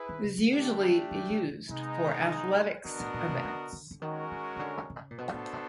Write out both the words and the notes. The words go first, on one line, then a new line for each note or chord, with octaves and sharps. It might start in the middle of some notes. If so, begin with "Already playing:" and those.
It is usually used for athletics events.
Already playing: E4 G#4 B4
D#3
C#3
D3
A3 D4 G4
D#3
D3
D3
C3 G#3 B3 D#4
D3 B3 D4 F#4 A#4 D#5
A2
A#2
C3
D3
D3
D3
D#3 G#3 C#4 F#4 A#4 C#5
D#3
C#3
D3
C#3
A#2
B2 B3 D4 F#4 A4 C5
A2